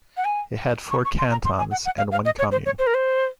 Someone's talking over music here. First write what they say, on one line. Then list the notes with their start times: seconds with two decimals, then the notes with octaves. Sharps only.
It had four cantons and one commune.
0.17 F#5
0.25 G#5
0.91 C#6
1.05 C#6
1.18 C6
1.31 A#5
1.45 C6
1.58 G#5
1.71 F#5
1.85 F#5
1.98 F5
2.12 F5
2.25 D#5
2.39 C#5
2.52 C5
2.66 C#5
2.79 C5
2.87 A#4
2.94 C5